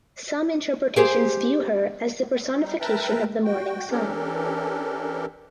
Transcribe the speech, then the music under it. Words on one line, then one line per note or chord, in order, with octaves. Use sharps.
Some interpretations view her as the personification of the morning sun.
G4 G#4 C5
G3 D#4
A#4 B4 E5 G5 A5 A#5
F#4 G5
E3 C#4 D4 G4 A4 A#4